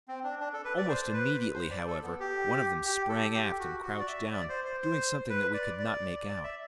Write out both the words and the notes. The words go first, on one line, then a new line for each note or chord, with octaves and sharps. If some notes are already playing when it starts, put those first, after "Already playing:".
Almost immediately, however, one of them sprang aft and crouched down, doing something that we could not make out.
C4
D4
D4
A4
B4
D5
C5
C5
B4
C5
D5
A4
B3
G4
G4
A4
G4
F#4
F#4
D5
E5
D5
C5
C5
C5
B4
D5
D5
D5
E5